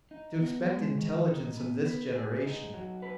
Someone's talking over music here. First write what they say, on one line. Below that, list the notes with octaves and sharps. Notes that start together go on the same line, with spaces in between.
"To expect intelligence of this generation!"
D#4
B3
G#3
D#3
D#4
B3
B4
G#4
D#4
F#3
B4